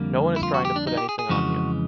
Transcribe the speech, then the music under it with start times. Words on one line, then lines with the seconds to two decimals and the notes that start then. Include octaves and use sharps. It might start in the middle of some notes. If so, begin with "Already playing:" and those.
No one is trying to put anything on you.
Already playing: F2 D3 G3 A#3
0.36 E4
0.43 F4
0.54 F#4
0.65 G4
0.76 D4
0.87 D#4
0.97 G4
1.09 G#4
1.19 G#4
1.29 F2 C#3 E3 G#3 F#4